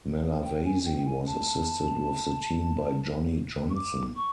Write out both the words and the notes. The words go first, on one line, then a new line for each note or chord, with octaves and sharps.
Malavasi was assisted with the team by Johnny Johnson.
G5
G#5
G5
G5
G#5
A5
C#6
D6
C#6